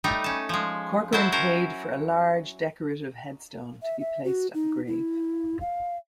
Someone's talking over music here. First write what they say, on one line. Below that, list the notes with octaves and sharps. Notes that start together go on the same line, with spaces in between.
Corcoran paid for a large, decorative headstone to be placed at the grave.
G3 A3 D#4
C#4 A5
F3 G#3
F#3 E4 C5 A5
C#4 A#4 C5
E5
E5
F#4
D#4
E4
F5